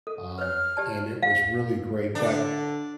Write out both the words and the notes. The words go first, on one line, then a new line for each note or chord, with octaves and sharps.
um, and it was really great, but,
A4
B4 C#5 F6
G4 D5 A5
F5
D3 D4